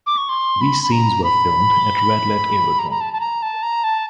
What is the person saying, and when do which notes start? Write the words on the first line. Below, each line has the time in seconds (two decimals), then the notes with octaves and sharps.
These scenes were filmed at Radlett Aerodrome.
0.06 D6
0.18 C#6
0.29 C6
0.61 B5
0.83 B5
0.92 A#5
1.24 B5
2.79 A#5
2.91 A#5
3.01 A5
3.13 A5
3.20 A#5
3.42 A5
3.63 A#5
3.84 A5